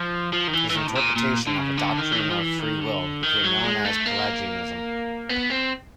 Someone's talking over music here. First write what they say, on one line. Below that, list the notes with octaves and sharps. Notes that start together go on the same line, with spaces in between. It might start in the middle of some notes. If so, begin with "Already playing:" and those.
His interpretation of a doctrine of free will became known as Pelagianism.
Already playing: F3
F3
D#3
E3
E3
D#3
A2
A#2
A#2
D3
C#3
D3
D#3
E3
D#3
F3
E3
D#3
D3
D#3
F#3
G#3
A3
A#3
B3
C4